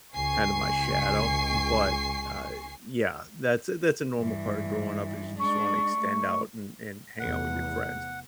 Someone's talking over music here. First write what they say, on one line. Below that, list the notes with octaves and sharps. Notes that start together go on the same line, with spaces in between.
kinda my shadow. But, uh, yeah, that's a that's a normal part of growing up, is you just wanna extend out and and hang out with your friends.
C#2 G#5 C#6 C7
G2 E3
G#3 D4 C#6
A3
F1 E2 F#5